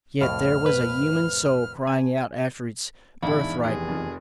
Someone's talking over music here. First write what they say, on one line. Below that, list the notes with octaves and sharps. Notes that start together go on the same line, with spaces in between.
Yet there was a human soul crying out after its birthright.
C2 F2 A2 F6
B4
G#5
A#1 E2 G#2 E3 D4 E4 F5 G5
F1 D#3 G4 G#4
F2 D#3 F3